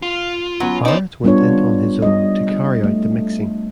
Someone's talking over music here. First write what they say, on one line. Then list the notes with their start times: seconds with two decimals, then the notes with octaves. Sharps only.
Barrett went in on his own to carry out the mixing.
0.02 F4
0.60 F#3 B3 C#4
0.85 D#2 D#4 C5 D5
1.24 G3 B3 D4 F4 C#5
2.02 G3 D#5
2.84 A3